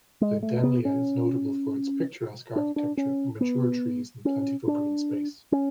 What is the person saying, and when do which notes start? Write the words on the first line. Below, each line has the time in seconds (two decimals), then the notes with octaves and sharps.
Lindenlea is notable for its picturesque architecture, mature trees, and plentiful green space.
0.21 G#3
0.43 A3
0.63 B3
0.85 C#4
2.56 D4
2.76 D4
2.97 C#4
3.41 B3
4.25 C#4
4.67 D4
5.52 C#4